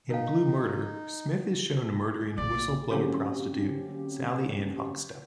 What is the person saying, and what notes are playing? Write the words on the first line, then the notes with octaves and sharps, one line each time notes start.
In "Blue Murder", Smith is shown murdering whistle-blower prostitute Sallie-Anne Huckstepp.
D#4 A#4 F5
A#1 A#3 D5
D3 F#3 A#3 C4 C#4 G4